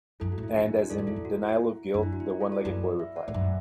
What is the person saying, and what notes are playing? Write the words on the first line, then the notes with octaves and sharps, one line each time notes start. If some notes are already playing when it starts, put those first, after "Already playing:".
And as in denial of guilt, the one-legged boy replied.
F#2 E4 A4
F#4
A2
E4
F#2
E2 D4
F#2 E4
F#4
F#2 A4 D5
A2
F#2 E4 A4
E2
F#4
E4
F#2 D4
E4
F#4
E4
F#4
E4 A4
A4 D5
F#2 F#4 B4
B4 E5
D5 F#5
A2
F#2 B4 E5